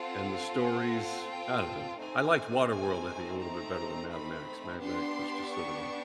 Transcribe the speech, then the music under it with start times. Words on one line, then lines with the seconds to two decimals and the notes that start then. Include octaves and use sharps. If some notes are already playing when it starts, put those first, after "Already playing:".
and the stories, I don't know, I liked Waterworld, I think, a little bit better than Mad Max. Mad Max was just sort of a
Already playing: C4 F4 A4 F#5
0.57 F#5
1.27 G5
1.98 A3 C4 D#4 G#5
2.69 G#5
3.39 A#5
4.10 B5
4.80 B3 D4 G4 C6
5.51 C#6